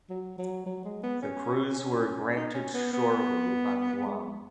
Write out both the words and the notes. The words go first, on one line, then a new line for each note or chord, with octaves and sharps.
The crews were granted shore leave on Guam.
F#3
F#3
F#3
G#3
B3
C#4
C#4
D#4
C#4
B3
B3
G#3